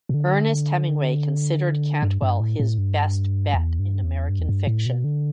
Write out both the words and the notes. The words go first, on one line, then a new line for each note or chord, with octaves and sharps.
Ernest Hemingway considered Cantwell "his best bet" in American fiction.
B2
D3
G2
G2
A2
A2
G2
E2
G2
E2
G2
E2
G2
A2
B2
D3